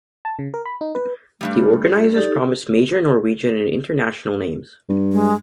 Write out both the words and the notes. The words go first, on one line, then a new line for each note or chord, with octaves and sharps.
The organizers promise major Norwegian and International names.
A5
C#3
A#4
B5
D#4
B4
G2 C3 G3 A3
F4
D#4 G4 A4 D5
G2
G#3